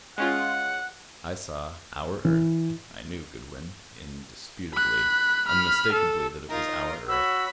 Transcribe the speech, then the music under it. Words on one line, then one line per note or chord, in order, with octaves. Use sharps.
I saw our Earth--I knew, Goodwin, indisputably, unmistakably that it was our earth.
G#3 C#4 F4 F#5
E3
B5 F#6
B5 F6
A4
D#4 F4 A#4
F#4 C#5 B5 E6